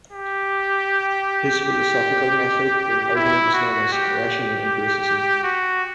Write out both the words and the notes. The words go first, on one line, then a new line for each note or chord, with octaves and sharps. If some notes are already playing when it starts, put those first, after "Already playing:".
His philosophical method in argument is known as rational empiricism.
G4
G4
E4
F#4
G4
F#4